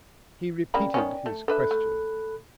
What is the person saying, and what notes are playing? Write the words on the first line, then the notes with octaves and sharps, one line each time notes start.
He repeated his question.
C#3 A#3 D5 G5 B5
D#3 B3 C#4
A3
D4 A4 B4 E5 B5 F#6
A3